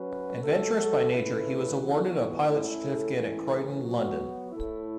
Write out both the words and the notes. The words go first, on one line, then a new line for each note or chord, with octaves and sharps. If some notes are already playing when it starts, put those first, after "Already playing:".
Adventurous by nature he was awarded a pilot certificate at Croydon, London.
Already playing: F#3 C#4 F#4 B4
F#3 A3 F#4 A4
C#3 A3 E4 B4
E3 B3 F#4
A3 C#4 E4 A4
A2 E3 C#4 E4
F#3 B3 F#4
A2 A3 E4